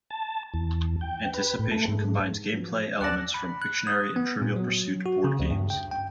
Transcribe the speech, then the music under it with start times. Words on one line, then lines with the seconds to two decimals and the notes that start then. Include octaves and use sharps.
"Anticipation" combines gameplay elements from "Pictionary" and "Trivial Pursuit" board games.
0.11 A5
0.54 E2
1.01 G5
1.34 B4
1.59 A2
1.71 A3
1.88 G#2
2.53 F3 F#3 B3
3.01 D#2 D5 F#5 G#5 A5 E6 F#6 A#6
3.34 B5
3.62 F#6
3.87 D#6
4.16 B3
4.42 A#2
4.56 F#3
5.06 F#4
5.24 C#3
5.39 D2
5.51 G2
5.70 G5
5.91 G5